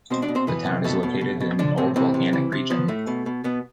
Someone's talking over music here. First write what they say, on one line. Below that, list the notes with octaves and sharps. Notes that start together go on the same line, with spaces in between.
The town is located in an old volcanic region.
B2 C4 C5
D4 D5
B2
C4 C5
E3 B3 B4
C3
B2 A3 A4
B2
B2
B2
D3 F3 D4
A2 C3 C4
C3 E3 C4
C3
E3
C3
F3 B3
A2 A3
B2
B2
B2 B3